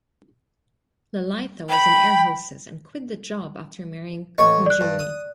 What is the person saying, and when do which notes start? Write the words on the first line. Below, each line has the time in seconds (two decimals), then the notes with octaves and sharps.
Lalitha was an air hostess and quit the job after marrying Kunjunni.
1.68 G5 B5
4.38 A1 C#5 D#5 C#6
4.66 D5 F#6
4.81 G2
4.99 D#6